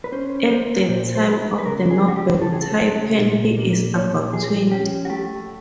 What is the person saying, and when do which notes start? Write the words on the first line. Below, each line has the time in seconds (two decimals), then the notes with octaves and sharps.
At the time of the novel Tai-Pan, he is about twenty.
0.04 B4
0.12 C#4 C5
0.51 A#3 C5
0.88 A#2 C5
1.15 C5
1.27 F#3 B4
1.59 B4
1.66 C#3 A#4
1.91 G#4
2.04 A3 F#4
2.16 G4
2.41 C#3 A4
2.52 G#4
2.61 A4
2.81 F#3
3.18 A#2
3.57 A#3
3.95 A#2 C#5
4.33 F3 G#4
4.71 C#4 G4
5.05 F#4
5.09 A3 G4